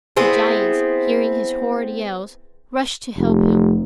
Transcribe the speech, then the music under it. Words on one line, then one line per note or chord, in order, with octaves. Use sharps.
The giants, hearing his horrid yells, rushed to help him.
B3 C4 E4 G#4
F1